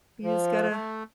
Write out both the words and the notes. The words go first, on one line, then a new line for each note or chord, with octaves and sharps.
you just gotta
F3
A3